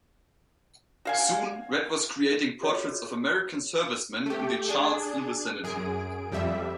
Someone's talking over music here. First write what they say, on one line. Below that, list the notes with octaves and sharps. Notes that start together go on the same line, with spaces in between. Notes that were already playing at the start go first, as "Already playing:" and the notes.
Soon, Rhett was creating portraits of American servicemen in the Charleston vicinity.
F#4 F5 G#5
F4 F#4 G#4 C#5 D#5
A3 G4
D4 G#4
F#2 G#4 D7
F2 G3 E5